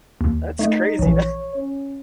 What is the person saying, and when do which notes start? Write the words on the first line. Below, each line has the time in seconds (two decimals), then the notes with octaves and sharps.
that's crazy. That
0.21 D#2
0.59 A3 D#4
0.99 A#1 E3 C#5
1.56 C#4